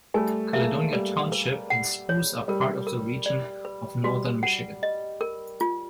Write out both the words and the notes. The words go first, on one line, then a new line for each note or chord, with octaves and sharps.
Caledonia Township and Spruce are part of the region of Northern Michigan.
G3 A3 G#5
G#3 A#3 E5
G3 A3 B4
B4
F#5
C#5
G3 A#4
A#4
D5
B4
G3 F#4
F#5
D#5
A#4
F4